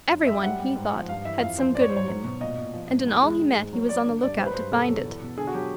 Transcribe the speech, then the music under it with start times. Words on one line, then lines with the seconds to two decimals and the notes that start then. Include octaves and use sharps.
Everyone, he thought, had some good in him, and in all he met he was on the lookout to find it.
0.09 F#2
0.26 F#2 E5
0.43 G3 F#5
0.60 G3
0.75 G#2
0.92 F3
1.09 G2 F5
1.25 E3 E5
1.42 F2 F5
1.58 F3 C5
1.75 G#2 D5
1.81 C#5
1.89 G#2 C5
1.96 C#5
2.08 F#3
2.24 B2
2.41 A#2 D#5
2.57 A#2
2.74 F3
2.91 G#2
3.07 E2
3.23 G#3
3.39 D#3
3.56 G#2
3.73 F#3
3.89 F#3 D5
4.06 D3
4.22 G2 D5
4.38 F#3 C5
4.47 B4
4.54 G2 C5
4.71 B2 A4
4.88 F#3
5.05 E2
5.21 B2
5.38 D3 G#4
5.47 F#4
5.54 F#3 G4